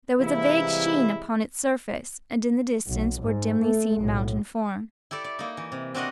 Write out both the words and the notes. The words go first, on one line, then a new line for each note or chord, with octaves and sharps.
There was a vague sheen upon its surface, and in the distance were dimly seen mountain forms.
C3 E3 G3 G#3 A#3 E4
B1
G#2
A3
B1 A2
E4 G4 A4 D5
D5
A#3 D#4
E3
C3
C4 D4 F#4 A#4 D#5 F#5